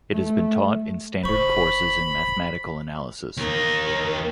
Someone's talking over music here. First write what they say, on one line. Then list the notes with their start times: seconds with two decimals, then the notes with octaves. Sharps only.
It has been taught in standard courses in mathematical analysis.
0.11 A3
1.24 F#1 C5 B5 C#6
3.37 D#2 A#4